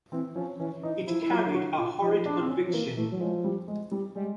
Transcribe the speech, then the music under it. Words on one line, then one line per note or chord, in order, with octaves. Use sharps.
It carried a horrid conviction.
E3 C4
F3 C#4
E3 C#4
E3 D#4
F3 E4
E4
F#3 F4
F#4
F4
F3 D#4
D4
C4
C#4
F3
E3 A#3
E3 A3
F#3
F3 G#3
G3
G#3
G3
G3 G#3